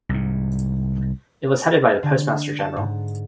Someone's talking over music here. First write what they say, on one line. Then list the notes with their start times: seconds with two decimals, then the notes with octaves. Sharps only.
It was headed by the Postmaster General.
0.09 C2 G#2
2.03 D3
2.58 A5
2.77 G#2